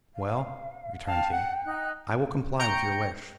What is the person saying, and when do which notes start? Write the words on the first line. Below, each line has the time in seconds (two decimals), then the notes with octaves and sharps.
"Well," returned he, "I will comply with your wish."
0.15 F5
1.06 F5 G5 A5
1.30 F#5
1.65 D#4 F#6
2.59 G5 A#5 C#6 G6 C#7 D7